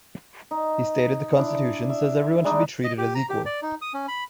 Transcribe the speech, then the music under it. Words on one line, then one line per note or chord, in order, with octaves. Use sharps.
He stated The Constitution says everyone should be treated as equal.
D#4
D4 E4 D5
E5
G3 G#3 D4 D#4
D#5
G4
A#5
G4
D5
D#4
D#6
C#4
B5